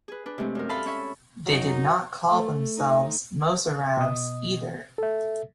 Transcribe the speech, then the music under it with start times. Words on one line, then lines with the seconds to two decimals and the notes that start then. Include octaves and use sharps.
They did not call themselves "Mozarabs" either.
0.08 G#4 B4
0.26 D4 B4
0.38 C3 G#3 A3 C4
0.55 F#2 A#4
0.69 A4 E5 F5 A5 B5 C6
0.85 C#4 C#5 E5
1.46 F#2 F#3 D#4
2.31 A3
2.76 D#4
3.97 B2 D#5 D#6
4.98 A4 E5